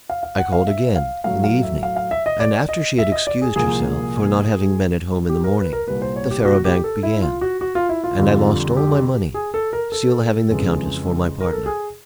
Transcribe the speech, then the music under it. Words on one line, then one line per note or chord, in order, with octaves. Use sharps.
I called again in the evening, and, after she had excused herself for not having been at home in the morning, the faro bank began, and I lost all my money, still having the countess for my partner.
F5
F5
F#5
F5
E5
F5
A2 F#3 A3 F5
F5
E5
F5
F5
E5
D#5
D5
D#5
E5
D#5
D5
G#4
C2 A#2 F3 A#3 G#4
G4
A#4
B4
A#4
C2 A#2 G3 A#3 B4
C5
C#5
G4
F#4
G4
A4
E4
F4
F#4
F#4
F4
E4
F4
F2 D3 G3
G4
G#4
A4
A#4
A4
F2 C#3 E3 G#3
A#4
A4
G#4